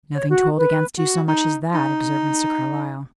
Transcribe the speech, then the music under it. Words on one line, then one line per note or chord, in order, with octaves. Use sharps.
"Nothing told against you so much as that," observed Mr. Carlyle.
C#5
F#4
B4
F#4
D#4
D#4